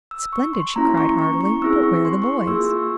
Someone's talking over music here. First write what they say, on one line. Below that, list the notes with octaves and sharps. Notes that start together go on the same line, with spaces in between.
"Splendid," she cried heartily; "but where are the boys?"
E6
C#6
C6
A#3 C#4 E4 A#5
C#6
C#6
C#6
C4 E4 G#4 E6
C#6
C6
C#6
C6
A#3 F4 G#4 E6
E6